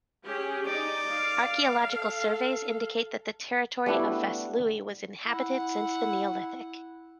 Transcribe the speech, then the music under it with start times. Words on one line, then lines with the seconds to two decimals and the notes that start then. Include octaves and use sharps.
Archaeological surveys indicate that the territory of Vaslui was inhabited since the Neolithic.
0.24 C#4 G4 G#4
0.66 D#4 D5
1.11 F5
1.91 A4
3.86 G3 A3 B3 D4 E4 F#4
5.25 E4 F#5